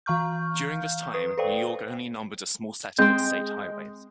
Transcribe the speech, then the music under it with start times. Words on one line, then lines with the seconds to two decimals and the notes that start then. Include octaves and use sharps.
During this time, New York only numbered a small set of its state highways.
0.06 E3 F5 A#5 C#6 F6 G6
1.14 B4 D#6
1.38 A4 B4 C5 D5 F5 G5
2.99 G#3 C4 C6 G6